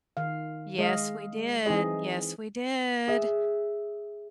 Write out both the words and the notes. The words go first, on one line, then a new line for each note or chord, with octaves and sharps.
Yes, we did. Yes, we did.
D#3 F5
G#3 D#5 F5
E3 C4 D#4 G#4 D#5
G#4 E5